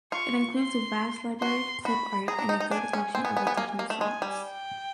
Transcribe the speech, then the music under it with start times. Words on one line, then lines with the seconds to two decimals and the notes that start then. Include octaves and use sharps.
It includes a vast library of clip-art, and a good collection of additional fonts.
0.12 F4 C#6
0.55 C6
1.41 F#4 C6
1.85 F#4 B5
2.28 G#4 A#5
2.39 D4
2.49 D#4
2.60 D#4
2.71 D4 G#5
2.93 C#4
3.15 C4 G#5
3.25 B3
3.37 B3
3.47 B3
3.57 A#3
3.79 A#3
3.90 A3
4.00 G#3 G#5
4.22 G3
4.44 G5